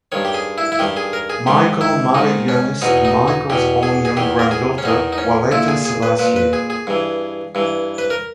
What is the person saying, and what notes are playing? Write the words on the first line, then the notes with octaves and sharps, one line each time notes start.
Mikael married Yohannes to Mikael's own young granddaughter, Waletta Selassie.
G2 D#3 C#5
G4
G#4
E4
E4
G2 D#3 G4
G#4
A#4
G#4
G#2 D#3 G4
E4
G#2 D#3 D#4
C#4
E2 B2 D#4
D#4
D#4
E2 B2 G4
G#4
G#4
E2 D#3 G4
A#4
G#4
C#4
E2 D#3 D#4
D#4
C#4
A#2 E4
G#4
G#4
B4
A#2 B4
B4
G#4
G#4
G2 E3
G2 E3
B4
A#4